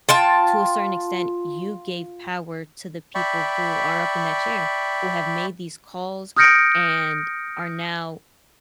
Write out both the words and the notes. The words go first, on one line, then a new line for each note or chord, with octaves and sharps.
to a certain extent you gave power to the people who are up in that chair? Who have made these calls and are now
F4 G5 A5
D5 E5 G5 B5 C#6
D#6 F6 G6 A#6 C#7 D7